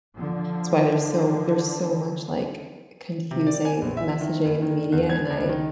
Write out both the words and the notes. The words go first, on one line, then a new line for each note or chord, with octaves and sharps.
it's why there's so there's so much, like, confusing messaging in the media, and I
D3 F3
C3
D5
G#5
A#1
E5
D#3
F#1
D#3
E2
G#6
C#2
D#3